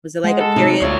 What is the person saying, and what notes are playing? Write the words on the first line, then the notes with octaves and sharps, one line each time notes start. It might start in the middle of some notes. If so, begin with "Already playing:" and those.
Was it like a period
G#3 F#5
A4
C3 D#4
D2 F4 C#5 D5 F5